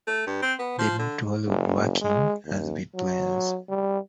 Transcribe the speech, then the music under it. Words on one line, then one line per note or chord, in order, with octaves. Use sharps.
They moved to Hollywood, working as bit players.
A3
G2
C4
B3
F3
D3
F#1
G#3
D#2
F#3
G3